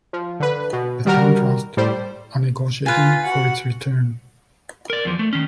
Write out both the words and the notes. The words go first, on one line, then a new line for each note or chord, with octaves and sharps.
The Town Trust are negotiating for its return.
F3
D3 B4
B2
D#3 G3 F#4 A#4
A2 G3 C5
F4 B4 G#5
F#4 F#5
A#4 D5
E2 F3
A3
D#3 C#4